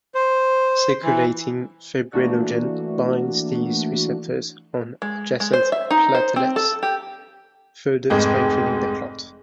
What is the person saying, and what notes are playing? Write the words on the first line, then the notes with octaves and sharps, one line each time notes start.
Circulating fibrinogen binds these receptors on adjacent platelets, further strengthening the clot.
C5
E3
E3 A3 A#3 D4 F#4
G#3
G#3
C5
E5
D#4
C5
C4
A4
G4
F1 G#2 G#4 D#5 G5